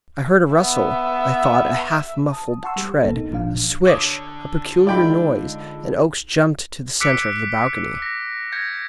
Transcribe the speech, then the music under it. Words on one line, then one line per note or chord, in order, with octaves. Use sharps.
I heard a rustle, I thought--a half-muffled tread; a swish, a peculiar noise--and Oakes jumped to the centre of the balcony.
B3 E5
A5 D#6
F#5 A5 C6 C#6 E6
G3 G4
A1 B2 A#3 A4
D#4
G#1 A#2 F3 D4 F5
D3 C#5 D6 D#6
G#3 D#4 F4 D5 G5 B5
D6 E6 F#6 B6 C#7 D7
A#6
G6 G#6 A#6 C#7